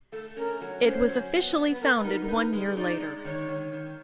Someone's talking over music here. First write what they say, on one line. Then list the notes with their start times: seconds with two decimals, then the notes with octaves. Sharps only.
It was officially founded one year later.
0.12 A3 A4
0.37 C#4 A#4
0.61 F#3
0.84 C#4 C5
1.09 F#3
1.33 B3
1.57 B3
1.71 B4
1.81 B3 A#4
1.96 B4
2.04 D#4 A#4
2.21 A#4
2.28 D#4 B4
2.53 G#3
2.77 D#4 D5
3.01 G#3
3.25 D#3 C#5
3.48 D#3
3.73 D#3